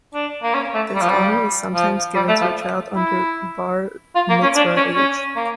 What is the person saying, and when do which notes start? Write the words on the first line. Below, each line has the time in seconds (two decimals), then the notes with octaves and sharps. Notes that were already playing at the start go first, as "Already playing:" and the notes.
This honor is sometimes given to a child under Bar Mitzvah age.
0.14 D4
0.43 A#3
0.54 C#4
0.74 A3
0.95 G3
1.02 F3
1.09 G3
1.74 F3
2.15 G3
2.28 A3
2.41 F3
2.95 E4
4.15 F4
4.29 A#3
4.42 C#4
4.55 D4
4.76 C#4
4.95 C#4
5.36 A#3